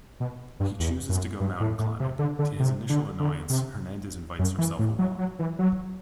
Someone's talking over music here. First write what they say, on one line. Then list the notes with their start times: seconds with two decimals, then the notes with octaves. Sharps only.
He chooses to go mountain climbing; to his initial annoyance, Hernandez invites herself along.
0.20 B2
0.60 G2
0.80 E2
1.09 F#2
1.40 G2
1.60 A2
1.79 A2
2.00 C3
2.19 D3
2.39 D3
2.60 C3
2.89 D3
3.19 D3
3.50 C3
4.39 F#2
4.58 E3
4.79 A2
4.99 F#3
5.18 F#3
5.39 E3
5.59 F#3